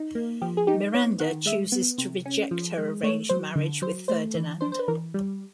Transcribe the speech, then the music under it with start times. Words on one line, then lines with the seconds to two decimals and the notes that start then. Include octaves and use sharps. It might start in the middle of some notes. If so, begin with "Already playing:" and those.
Miranda chooses to reject her arranged marriage with Ferdinand.
Already playing: D#4
0.15 A#3
0.42 F3 G4
0.57 G#4
0.67 D#4 G4
0.94 B3 C#5
1.20 D#3 F#5
1.46 G#3 E5
1.72 B3
1.98 C3
2.25 C#4
2.51 F3
2.78 G#3
3.03 A3 C#5
3.29 F#3 C5
3.56 D3
3.82 F#3 C5
4.08 A3 C5
4.35 E3
4.61 D4 C5
4.72 C5
4.79 B4
4.88 E3 A#4
5.14 G3